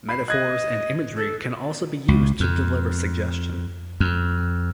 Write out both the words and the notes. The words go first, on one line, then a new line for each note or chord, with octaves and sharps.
Metaphors and imagery can also be used to deliver suggestion.
B5 C7
D#5 F#6 G#6 A#6
A4
C#2
F2
F2